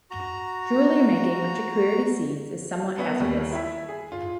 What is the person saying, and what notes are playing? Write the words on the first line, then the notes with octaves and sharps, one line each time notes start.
Jewelry-making with jequirity seeds is somewhat hazardous.
F#4 A#5
B3 C#4 E5
D#2 G3
E4 E5
G#4
F4